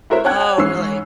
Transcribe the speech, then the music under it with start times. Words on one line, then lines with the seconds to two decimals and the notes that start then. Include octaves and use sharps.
Oh, really?
0.10 E4 F#4 A#4 C5 C#5 E5
0.25 C#5 F#5 G5 A5 F#6 G#6
0.58 G#2 E3 C#4 C#6 E6 C7